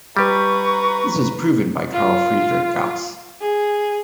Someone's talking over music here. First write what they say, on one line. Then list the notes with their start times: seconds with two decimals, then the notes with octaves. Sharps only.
This was proven by Carl Friedrich Gauss.
0.17 G3 G4 B4 A#5 C#6
1.92 F4
3.41 G#4